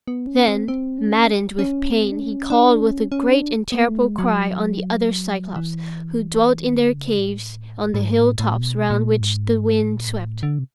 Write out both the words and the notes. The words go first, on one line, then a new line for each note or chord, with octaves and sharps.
Then, maddened with pain, he called with a great and terrible cry on the other Cyclopes, who dwelt in their caves on the hill-tops round which the wind swept.
B3
C#4
C4
C4
C#4
C#4
C4
D4
C#4
D4
C#4
C#4
D4
B3
A3
G#3
F#3
E3
D#3
D3
C#3
A2
A2
G#2
A2
A2
A#2
B2
A#2
G#2
A2
A#2
A2
D3
C3